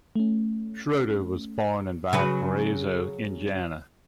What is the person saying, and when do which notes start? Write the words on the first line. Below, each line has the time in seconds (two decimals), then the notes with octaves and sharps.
Schroeder was born in Valparaiso, Indiana.
0.15 A3 C#4
2.13 C#3 F#3 B4